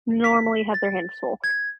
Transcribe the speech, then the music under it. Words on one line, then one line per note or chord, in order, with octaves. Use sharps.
normally have their hands full,
B6
A6
G#6